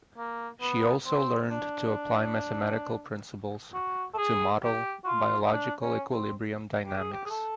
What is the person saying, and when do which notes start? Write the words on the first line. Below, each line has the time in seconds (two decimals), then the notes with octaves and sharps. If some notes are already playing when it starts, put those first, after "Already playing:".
She also learned to apply mathematical principles to model biological equilibrium dynamics.
0.18 A#3
0.61 B3
1.06 C4
1.51 D4
3.74 F#4
4.14 A4
4.18 G#4
4.63 G4
5.04 F#4
5.07 F4
5.45 D#4
5.52 D4
5.82 C#4
6.12 C4
6.86 G4
6.99 G#4
7.12 G4
7.26 G#4
7.30 A4